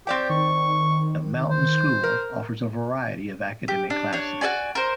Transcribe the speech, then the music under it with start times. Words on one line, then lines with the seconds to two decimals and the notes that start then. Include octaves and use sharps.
The Mountain School offers a variety of academic classes.
0.07 C4 G4 D5 G5
0.30 D#3 C#6
1.50 C5
2.03 A#4
3.68 G4
3.90 D4
4.13 D4 C#5
4.41 F#4 A4 D5 G#5
4.75 A#4 C5